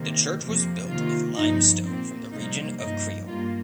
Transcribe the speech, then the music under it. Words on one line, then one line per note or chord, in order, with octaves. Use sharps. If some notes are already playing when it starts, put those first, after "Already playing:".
The church was built with limestone from the region of Creil.
Already playing: C3 D#3 A#3
F2 C3 F3 A#3
C3 D#3 A#3 F4
G2 F3 A#3 D#4
A#2 A#3 C4
F2 C3 G3 A#3 D#4
G2 F3 A#3 D#4
G2 G3 A#3 F4